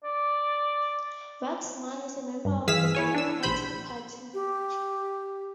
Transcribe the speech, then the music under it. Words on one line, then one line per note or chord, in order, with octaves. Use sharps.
Waxman is a member of the Democratic Party.
D5
G2
E3 G#4 F5 E6 B6
E4 C#5 G#5
D4 E6
A#1 C5 B5 G6
G4